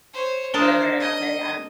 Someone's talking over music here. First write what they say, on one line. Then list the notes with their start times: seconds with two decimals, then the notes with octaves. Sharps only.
whatever, and I'll say, "I'm,
0.13 C5 C#5
0.54 D4 A#4 C5 A5 D#6 G7
1.00 D#5